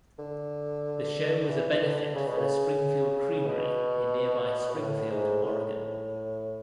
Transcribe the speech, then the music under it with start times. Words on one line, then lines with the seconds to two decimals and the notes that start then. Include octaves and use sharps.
The show was a benefit for the Springfield Creamery in nearby Springfield, Oregon.
0.19 D3
1.50 E3
1.83 D3
2.15 C#3
2.27 B2
2.37 C#3
3.46 B2
4.70 B2
4.77 A2
5.10 G#2
5.42 A2